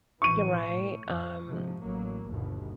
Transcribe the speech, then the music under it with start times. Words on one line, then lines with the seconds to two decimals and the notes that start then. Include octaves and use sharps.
You're right, um,
0.22 A1 B2 E3 C#6 D#7
0.71 A2
1.09 F2
1.46 G#2 C3 F3
1.82 A1 F#3 A#3
2.29 G1 D#2 B2